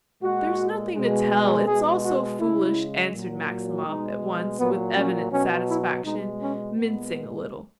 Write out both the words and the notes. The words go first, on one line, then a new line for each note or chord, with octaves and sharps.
"There's nothing to tell, it's all so foolish," answered Maximov at once, with evident satisfaction, mincing a little.
A#2 G#3 F#4
B2 G#3
B2 G#3 G#4
F#4
C#3 G#3 E4
A#2 F#3
B2 G#3 D#4
A#2 F#3 B3
C#4
B2 F#3 C#4
E4
B2 G#3 D#4
C#4
A#2 G#3 B3